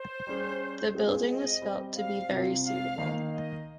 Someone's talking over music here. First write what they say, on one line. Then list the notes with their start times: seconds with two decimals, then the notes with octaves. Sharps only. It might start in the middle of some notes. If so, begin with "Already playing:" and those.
The building was felt to be very suitable.
Already playing: C5
0.27 G3 C#4 G#4
0.95 G#3 C4 F4 G#4
1.29 D#5
1.62 G3 C4 G4
1.96 F5
2.30 C3 G3 C4 F4
2.64 F5
2.98 D#3 A#3 D#4
3.31 D#5